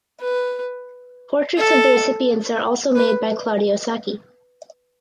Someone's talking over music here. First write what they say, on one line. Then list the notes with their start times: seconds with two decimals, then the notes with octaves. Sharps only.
Portraits of the recipients are also made by Claudio Sacchi.
0.21 B4
1.58 A4
2.96 B4